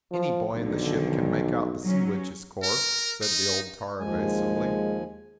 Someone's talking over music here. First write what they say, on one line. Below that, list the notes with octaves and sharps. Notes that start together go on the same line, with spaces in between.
"Any boy in the ship can make out the 'Sea Witch's' course," said the old tar, evasively.
F3
B1 D3 D#3 F3
F#3 C#4
A#4
D#4
D#2 F3 G#3 G#5